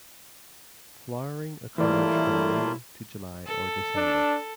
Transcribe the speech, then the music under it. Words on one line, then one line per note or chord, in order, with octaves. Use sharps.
Flowering occurs from May to July or December.
A2 E3 G3 A3 A#3 E4 F4 D5
A4
D4